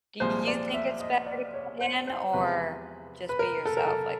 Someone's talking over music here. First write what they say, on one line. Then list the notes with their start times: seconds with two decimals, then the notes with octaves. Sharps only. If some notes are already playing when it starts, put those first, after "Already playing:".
Do you think it's better to fit in or just be yourself? Like
0.20 C2 A#2 F3 G#3 C5
0.47 D5
0.74 E5
1.00 D#5
1.26 D5
1.54 C#5
1.81 C5
2.07 C5
2.33 E2 C3 F3 G#3 B4
3.29 B4
3.39 A#4
3.65 A4
3.77 A#4
3.87 A4